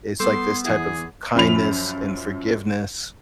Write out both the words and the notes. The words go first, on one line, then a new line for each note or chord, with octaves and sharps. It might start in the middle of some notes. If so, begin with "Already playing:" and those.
it's, like, this type of kindness and forgiveness
G3 B3 A4 C6 E6
E2 E4 G#4 F#5
F#2 F3 B5 F7